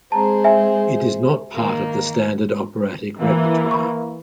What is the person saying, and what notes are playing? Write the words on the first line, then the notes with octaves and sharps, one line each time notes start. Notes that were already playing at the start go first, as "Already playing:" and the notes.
It is not part of the standard operatic repertoire.
G#3 C4 G#4 A5 A#5
E5 G#5
D#3 A#3
E3 A#3
B5 C#6